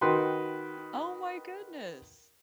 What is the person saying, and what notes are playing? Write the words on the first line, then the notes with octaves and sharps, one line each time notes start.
Oh, my goodness.
D#3 F#4 B4 G5 C6